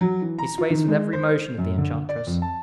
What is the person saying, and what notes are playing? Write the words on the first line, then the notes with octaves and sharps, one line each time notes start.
He sways with every motion of the enchantress.
F#3
E3
A#5
F4
D#3
G#3
C5
F#2
D3
D5
F2
A5